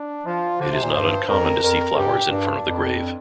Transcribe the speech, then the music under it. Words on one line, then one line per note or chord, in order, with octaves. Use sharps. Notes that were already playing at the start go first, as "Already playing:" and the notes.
It is not uncommon to see flowers in front of the grave.
Already playing: D4
F3 F4
D3 C5
C3
A#2
G2 C5
F2 A#4
F2 A#4
G2 G4
A#2
G2 D4
F2